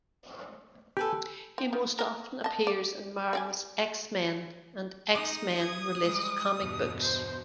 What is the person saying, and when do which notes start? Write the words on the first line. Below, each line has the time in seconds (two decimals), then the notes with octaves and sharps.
He most often appears in Marvel's "X-Men" and X-Men-related comic books.
0.97 G4 A4 B4 G#5
1.58 C4
1.73 D#3
1.99 A#4
2.44 D#5 A5
2.67 D5
3.33 C4 D5 G#5
5.14 D#4 D#6
5.59 G#6
6.02 G3 G#3
6.59 E2 G2 B2
7.01 C5